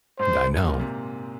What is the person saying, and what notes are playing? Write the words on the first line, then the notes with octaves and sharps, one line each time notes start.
D I know.
G#2 C5
A#2
C3